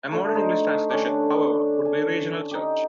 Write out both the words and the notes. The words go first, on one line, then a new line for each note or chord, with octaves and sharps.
A modern English translation, however, would be "regional church".
D3 A3
D#4 C5
D3 C#4 D4 G4
G#5
D#4 G4